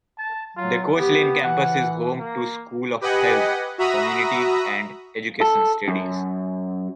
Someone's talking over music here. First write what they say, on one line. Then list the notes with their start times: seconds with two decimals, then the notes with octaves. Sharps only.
The Coach Lane Campus is home to School of Health, Community and Education Studies.
0.18 A5
0.57 F#3 F4
0.95 B3 G4
1.44 E3 F#5
2.19 A#3
3.01 G4 B4 D#5 F#5 G#5
3.78 F#4 E5 A#5 B5 D#6
5.41 A4
5.88 F#2